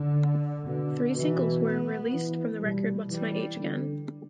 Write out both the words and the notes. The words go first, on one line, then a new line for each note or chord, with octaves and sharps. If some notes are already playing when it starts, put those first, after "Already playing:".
Three singles were released from the record-What's My Age Again?
Already playing: D3
B2 D3
B2 E3
B3
E3
B2 G3
E3 G3
D3